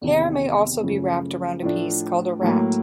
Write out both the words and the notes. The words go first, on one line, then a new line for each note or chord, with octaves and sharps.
Hair may also be wrapped around a piece called a "rat".
E2 C3 D#3
F#2 C#3 F3 A3
A2 F3 A3 D4
A2 F#3 A#3